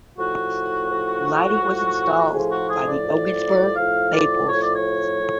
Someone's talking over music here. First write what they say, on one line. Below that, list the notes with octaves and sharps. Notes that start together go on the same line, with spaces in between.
Lighting was installed by the Ogdensburg Maples.
A2 F3 F#4
A2 F3
A2 F3
A2 F3 G#4
F#4
G#4
D5
A2 F3
A2 F3 F5
D5
A2 F3 C#5
D5
C#5
A2 F3